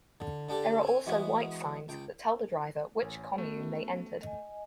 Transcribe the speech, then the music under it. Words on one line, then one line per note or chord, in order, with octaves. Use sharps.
There are also white signs that tell the driver which commune they entered.
D3
D3 D4 G4 A4
C4 C#4 G#5
E3 G#3 B3 F#4
C#2 G5
A1 C#5 G#5
A3 B3 C#4 F#4
D#5 G#5